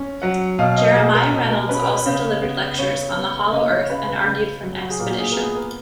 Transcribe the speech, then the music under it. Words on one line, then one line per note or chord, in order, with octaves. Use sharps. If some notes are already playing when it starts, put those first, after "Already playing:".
Jeremiah Reynolds also delivered lectures on the "Hollow Earth" and argued for an expedition.
Already playing: C#4
F#3 F#5
B2 F5
D#5
B2 G#4
A#4
B2 A#4
A#4
C#4 B4
A#4
B4
C#3
B3
C#3 C#5
B3
C#3 D#5
C#5
C#3 B4
B4
C#3
F#3
F#4
G#4
A#2 A#4
F#4
G#4
A#4
B3 G#4
A#4